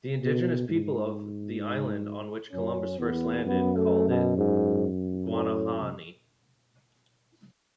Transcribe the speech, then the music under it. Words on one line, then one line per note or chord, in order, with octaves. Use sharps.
The indigenous people of the island on which Columbus first landed called it Guanahani.
B2
G#2
F#2 C#4
E2 B3
F#2 B3
A3
B2
G#2
A2